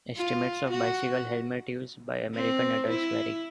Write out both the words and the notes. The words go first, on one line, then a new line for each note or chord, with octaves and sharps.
Estimates of bicycle-helmet use by American adults vary.
F4
F#4
C4
E4